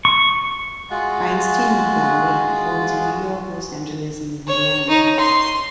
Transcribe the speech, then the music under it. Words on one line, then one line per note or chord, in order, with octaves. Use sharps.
Feinstein and Flannery have homes in New York, Los Angeles, and Indiana.
C#6
G#3 F4 F#4
C#5
D#4
C6